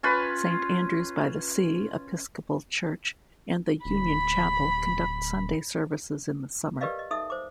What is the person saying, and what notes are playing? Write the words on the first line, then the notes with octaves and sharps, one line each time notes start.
Saint Andrew's-by-the-Sea Episcopal Church and the Union Chapel conduct Sunday services in the summer.
C#4 F4 B4
D1 B5
G4 A#4 B4 D5 D#5 F5
D#5
D#4 A4 E5 D#6
C5 D6